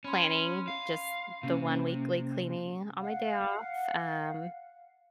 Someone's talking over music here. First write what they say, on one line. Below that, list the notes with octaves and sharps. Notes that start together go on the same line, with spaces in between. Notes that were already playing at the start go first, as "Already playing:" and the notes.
planning just the one weekly cleaning on my day off, um,
C#4 B5 C6
F5
C3 A#3 C#4
F5 F#5